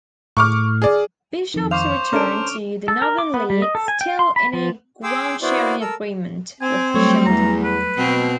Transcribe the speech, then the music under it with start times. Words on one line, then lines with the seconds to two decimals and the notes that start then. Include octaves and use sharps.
Bishops returned to the Northern League still in a groundsharing agreement with Shildon.
0.37 A2 C#6 D6 F6
0.82 G#4 D5
1.54 F2 D#3
1.71 C5 F5 C#6 D6 F7
2.13 C#4 D4 A4 A#4 F6 D7
2.88 A4
3.02 A#4
3.18 D6
3.34 B3
3.50 G3
3.62 D#5
3.75 A4
3.88 G#5
4.01 G5
4.19 C6
4.36 B5
4.53 F3
5.03 G#4 G5 C6 D6 E6
5.42 B3 E4 F#4 C5 D5
5.81 A4 A#4 E6
6.61 C4 G#5
6.94 F#3 G3 A3 C#5
7.26 E2 A#5
7.64 B4
7.98 B2 C4